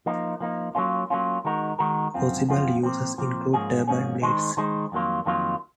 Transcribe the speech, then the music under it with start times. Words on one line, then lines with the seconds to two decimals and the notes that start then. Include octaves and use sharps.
Possible uses include turbine blades.
0.06 F3 A#3 D#4
0.40 F3 A#3 D#4
0.75 F#3 A#3 C#4 F4
1.10 F#3 A#3 C#4 F4
1.45 D#3 G#3 D#4 F#4 A#4
1.79 D#3 G#3 D#4 F#4 A#4
2.14 F#2 F3 C4 F4
2.49 F#2 F3 C4 F4
2.83 A#2 F3 C4
3.18 A#2 F3 C4
3.53 G#2 F3 A#3 C#4 G#4
3.87 G#2 F3 A#3 C#4 G#4
4.22 D#3 G#3 D#4 G#4 C5
4.57 D#3 G#3 D#4 G#4 C5
4.92 F2 D#3 F#3 A#3 F4
5.26 F2 D#3 F#3 A#3 F4